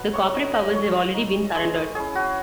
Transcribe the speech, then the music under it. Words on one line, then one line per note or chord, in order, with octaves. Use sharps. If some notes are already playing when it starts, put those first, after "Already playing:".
The corporate powers have already been surrendered.
Already playing: F#3 B4
C#5
A3 D#4 D#5
D#5
A3 C#5
D#4
G#3 G#4
A4
C#4 E4 G#4
F#4